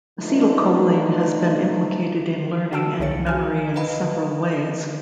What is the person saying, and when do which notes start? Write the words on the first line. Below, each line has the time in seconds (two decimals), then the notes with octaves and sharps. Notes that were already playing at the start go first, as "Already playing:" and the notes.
Acetylcholine has been implicated in learning and memory in several ways.
0.20 D3 E3 F3 A3 D#4
2.72 F#4 F5 G5 A5 E6 D7
2.99 C2 D#3 G#4 C#5 A6 C#7
3.27 F#4 G#5 F6
3.76 B4 D#5 F5 G5 A#5 B5